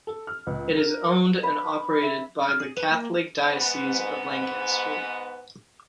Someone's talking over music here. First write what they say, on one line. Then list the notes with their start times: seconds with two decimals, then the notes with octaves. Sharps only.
It is owned and operated by the Catholic Diocese of Lancaster.
0.07 A4
0.27 F6
0.47 C#2
0.77 A#4
1.43 B4
2.02 E5
2.49 F6
2.60 G#4
2.77 B4
2.91 A#3
3.45 G#2 B3